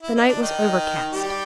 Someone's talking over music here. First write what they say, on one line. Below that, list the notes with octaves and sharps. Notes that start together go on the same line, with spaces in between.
The night was overcast.
E4
D#4
D4
D#3 D#4
G3 G4